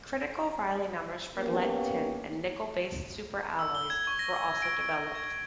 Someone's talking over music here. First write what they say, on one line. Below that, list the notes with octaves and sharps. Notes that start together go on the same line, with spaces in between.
Critical Rayleigh numbers for lead-tin and nickel-based super-alloys were also developed.
A#3 B3 C#4 G4
E6
G7
G#6
C#6
A#6
D7
D7
G#6